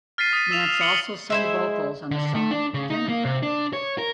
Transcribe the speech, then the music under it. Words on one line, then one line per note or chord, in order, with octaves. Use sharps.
Mats also sang vocals on the song "Jennyfer".
F6 A6 B6 C7 D#7
D#6 A6 B6 D#7
E6 E7 F7
C#7 F#7 G7
G#3 E4 C5 E5
D3
A3
D4
C#3
D#4
A#3
C3
D4
C#5
A#4